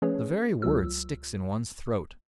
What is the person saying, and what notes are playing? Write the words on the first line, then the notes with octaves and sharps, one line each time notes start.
The very word sticks in one's throat.
F3 A3 C#4 G#4 B4 C#5
C#2 F#3 F4 E6